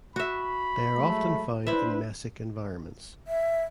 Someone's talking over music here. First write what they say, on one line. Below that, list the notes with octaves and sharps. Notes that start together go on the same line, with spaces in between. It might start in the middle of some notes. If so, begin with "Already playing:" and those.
They are often found in mesic environments.
F#4 E5 B5
F#3 G#3 A3
D4 E4 B4 C5 E5
E5